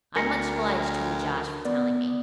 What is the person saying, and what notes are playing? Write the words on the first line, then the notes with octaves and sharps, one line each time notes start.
I'm much obliged to you, Josh, for telling me.
D2 A#4 G#5 A#6 C#7
B3 D5